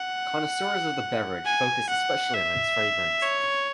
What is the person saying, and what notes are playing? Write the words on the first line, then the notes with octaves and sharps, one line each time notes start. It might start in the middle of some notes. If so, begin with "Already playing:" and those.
Connoisseurs of the beverage focus especially on its fragrance.
Already playing: F#5
G#5
F#5
E5
C#5